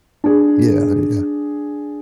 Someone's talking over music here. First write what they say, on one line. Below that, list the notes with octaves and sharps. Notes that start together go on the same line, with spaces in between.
Yeah, yeah.
D4 G#4